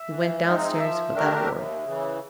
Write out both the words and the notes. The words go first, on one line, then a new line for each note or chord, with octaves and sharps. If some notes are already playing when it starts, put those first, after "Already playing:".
They went down stairs without a word.
Already playing: E5
E3
G#3 C4 D#4
F3 E5
A3 D4 G4 A#4
D#2
C#3 E3